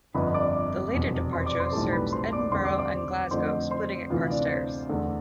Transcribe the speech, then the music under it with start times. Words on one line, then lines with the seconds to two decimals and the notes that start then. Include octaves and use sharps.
The later departure serves Edinburgh and Glasgow splitting at Carstairs.
0.14 G1 F2 D3 F3 B4 B5
0.34 D5 D6
0.93 F1 E2 B2
1.33 C5 C6
1.46 D5 D6
1.60 C5 C6
1.73 B1 A2 E3 G3 C4 A4 A5
1.93 B4 B5
2.12 C5 C6
2.32 D5 D6
2.52 E2 D3 G3 C4 C5 C6
2.65 D5 D6
2.79 D5 D6
3.31 F2 D3 F3 A3 D4 C5 C6
3.71 C5 C6
4.10 D2 C3 E3 B3 F4 F5
4.30 D4 D5
4.50 C5
4.89 E2 D3 A3